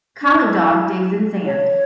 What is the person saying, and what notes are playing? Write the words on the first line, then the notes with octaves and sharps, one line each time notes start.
Collie dog digs in sand.
D4
E4
C#5